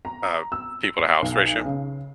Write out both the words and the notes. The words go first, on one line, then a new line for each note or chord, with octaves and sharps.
uh, people to house ratio
A#5
E6
C7
B1
C#3